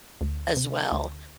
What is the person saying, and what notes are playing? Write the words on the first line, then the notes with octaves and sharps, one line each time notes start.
as well.
D2
C3
D2